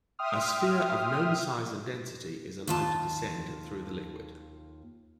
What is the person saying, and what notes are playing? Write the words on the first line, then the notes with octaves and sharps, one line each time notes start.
A sphere of known size and density is allowed to descend through the liquid.
E5 G5 C6 D#6 F6
D#2 F4 A5